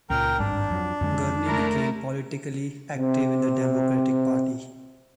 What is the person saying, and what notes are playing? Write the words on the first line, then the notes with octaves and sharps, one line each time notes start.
Gurney became politically active in the Democratic Party.
C#2 A#2 A#4 G5 A#5
G#1 G2 G3 D4
F2 F#3
F2 D3 G#3
A3 E4 A#4
C3 C4